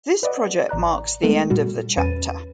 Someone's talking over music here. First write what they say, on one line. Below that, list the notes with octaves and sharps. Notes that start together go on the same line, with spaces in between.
This project marks the end of the chapter.
B4 D5 D#5 F#5
A1 D5 A#5 F#6
G#3 A3 B3 A4
A#2 G3 F#4
E2 C#4 B4 A6 D#7